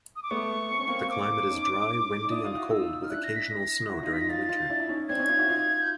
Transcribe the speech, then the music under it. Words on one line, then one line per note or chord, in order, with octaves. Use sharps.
The climate is dry, windy and cold, with occasional snow during the winter.
D#6
D6
A3 B3 C#6
C4
C#4
A#3 C4
D6
C#4 D#4
D#4
D4 E4 D#6
D#4 F4
E4 F#4
D#4 F4 E6
D#4 F6
D4 E4 F#6
A#6
B6
A#6
E4 F#4
D#4 F4
D#4 F4 B6
A#6
D#4 F4 A6
D#4 F4
D4 E4
E4
C#4 D#4
C4 D4 G#6
C#4 D#4
D#4 F4
E4 F#4
D#4 F4
G6